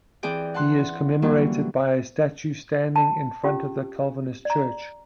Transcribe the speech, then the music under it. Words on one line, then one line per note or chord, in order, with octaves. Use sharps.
He is commemorated by a statue standing in front of the Calvinist church.
E3 C4 G#4 D5 G5
F#5 A5 C6 F#6
D3 E3 F#3 G3 A#3 C#4
A5
C#4 F4 G4
D5 A#5